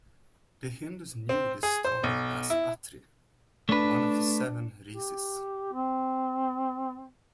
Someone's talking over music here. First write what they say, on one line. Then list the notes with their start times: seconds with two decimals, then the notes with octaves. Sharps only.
The Hindus knew this star as "Atri", one of the Seven Rishis.
1.29 C4
1.63 G#4
1.85 C5
2.03 B1
2.50 E4
3.69 A3 D4 B4
4.92 G4
5.73 C4